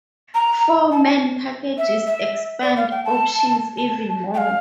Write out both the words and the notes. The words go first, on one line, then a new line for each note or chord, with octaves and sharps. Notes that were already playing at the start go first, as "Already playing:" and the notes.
Four-man packages expand options even more.
A#5
A5
A5
E5
E5
D5
F5
G5
A5
A5
G5
F5